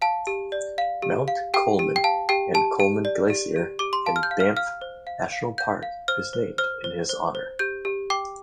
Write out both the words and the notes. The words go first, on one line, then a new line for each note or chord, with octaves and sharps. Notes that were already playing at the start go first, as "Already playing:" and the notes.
Mount Coleman and Coleman Glacier in Banff National Park is named in his honour.
F5 A5
G4
D5
F5
G4
F5
G4 G5
G4
G5
F5 A5
G4 G5
G4 A5
G4
D5
G4
G4
G4 D6
C6
F5 A5
F6
G6
F5
F6
F5 F6
C5
F5
F5
F5 G6
F5
C5 F6
C5
C5 F6
C5
C5
C5
G4 G6
G4
G5 D6